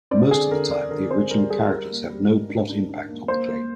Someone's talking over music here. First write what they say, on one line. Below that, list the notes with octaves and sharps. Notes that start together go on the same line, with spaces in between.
Most of the time, the original characters have no plot impact on the game.
C4 D5
D3 G#4
D3 A#4
D3 D5
D3 A#4
C4 C5
G3 A#4
G3 G#4
G3 A#4
A#3
G3
G#2
D4
D4
D4
A#3
A#3 C5
A#3